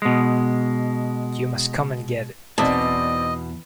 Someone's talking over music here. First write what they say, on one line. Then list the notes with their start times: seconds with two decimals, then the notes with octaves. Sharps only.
You must come and get it.
0.02 B2 G#3
2.58 E2 B2 C4 D#4 D5 D#5 A5